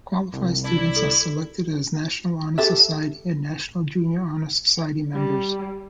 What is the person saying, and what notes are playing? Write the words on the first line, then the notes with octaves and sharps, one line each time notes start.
Qualified students are selected as National Honor Society and National Junior Honor Society members.
C2
D4 E4 D5
A4
G4 A4 E5
G3